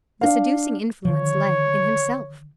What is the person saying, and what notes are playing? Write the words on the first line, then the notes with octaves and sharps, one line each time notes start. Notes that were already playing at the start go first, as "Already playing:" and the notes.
The seducing influence lay in himself.
D4 F5
D3 D#3 F3 C#5